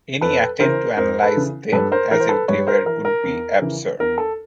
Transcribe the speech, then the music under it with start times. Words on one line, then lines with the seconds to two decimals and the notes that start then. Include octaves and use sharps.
Any attempt to analyse them as if they were would be absurd.
0.21 F2 A4 B4
0.60 C#3 E3 A#4 C5
0.97 F2 A#4 C5
1.23 A4 B4
1.35 C#3 E3
1.72 G2 A4 B4
1.92 A#4 C5
2.11 E3 A#4
2.20 C5
2.29 A4 B4
2.48 G2 B4 C#5
2.67 A#4 C5
2.86 E3 A#4
3.05 A#4
3.23 E2
3.62 C#3 E3
4.00 E2 A#4
4.18 A4